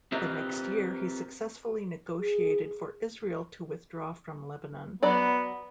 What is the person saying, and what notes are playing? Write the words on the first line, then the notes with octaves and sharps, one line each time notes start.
The next year he successfully negotiated for Israel to withdraw from Lebanon.
C4 F4 G4 A#4 B4 D#5
G#4
F#3 B3 D5